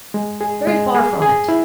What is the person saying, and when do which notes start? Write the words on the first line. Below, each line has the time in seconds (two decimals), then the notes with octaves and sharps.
Very far from it.
0.14 G#3
0.41 G#4
0.67 G#3
0.95 G#4
1.22 G#4
1.49 E4